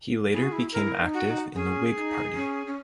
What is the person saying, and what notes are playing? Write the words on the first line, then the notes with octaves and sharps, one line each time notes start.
He later became active in the Whig Party.
E4 G#4
F#4
E4
E4 A#4
D#4
F#4
D#4
C#4 G#4
D#4
C#4
C#4